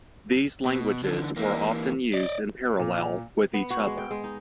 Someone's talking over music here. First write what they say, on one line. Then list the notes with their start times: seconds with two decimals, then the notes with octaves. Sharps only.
These languages were often used in parallel with each other.
0.66 B2
1.04 D3 E3
1.37 E3 A#3
2.14 D5 D#5
2.79 A#2
3.54 B3
3.70 F#4
3.86 G#3
3.98 G5
4.11 G#3
4.24 D#4